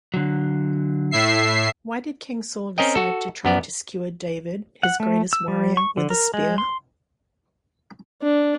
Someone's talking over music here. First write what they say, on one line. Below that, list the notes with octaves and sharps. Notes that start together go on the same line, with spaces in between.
Why did King Saul decide try to skewer David-his greatest warrior-with a spear?
D3 F#3
A2 E5 C7
C4 C#4 A#4 D#5 G5
F#4 A4
F#2 B3 D5
F#5
A3
E6
G3
C#6
D3
A#4
G#3
C6
D4